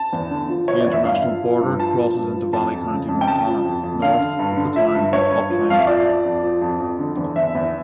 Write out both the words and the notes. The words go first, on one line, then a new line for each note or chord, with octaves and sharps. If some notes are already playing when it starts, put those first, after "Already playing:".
The international border crosses into Valley County, Montana, north of the town of Opheim.
Already playing: A5
E2
D3
F3
F3 C#5
D5
E2
E5
G2 F5
F3
F3
G2
F3 A5
F3
G2
F3
F2 A5
F2
C#3
F2
G5
C#3 A5
F3
F2
F2
D3 F5
D3
G2
D3
F3 E5
G2
G2 C#5
G2
F3
F2 F5
E5
F3 D5
F3
F2
F3
F2
F2
D3
E2
E2 E5
E2